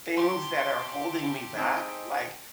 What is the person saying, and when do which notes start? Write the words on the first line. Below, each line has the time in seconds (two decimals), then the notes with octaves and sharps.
things that are holding me back, like,
0.17 G4 A4 C6
1.57 G#3 C4 D#4